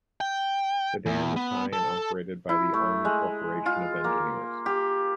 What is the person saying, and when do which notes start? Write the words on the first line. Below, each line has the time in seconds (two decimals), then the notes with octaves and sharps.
The dam is high and operated by the Army Corporation of Engineers.
0.21 G5
1.06 E2
1.36 B3
1.73 A4
2.49 E4
2.74 A3
3.05 G#3
3.66 F4
4.04 A#3
4.66 G4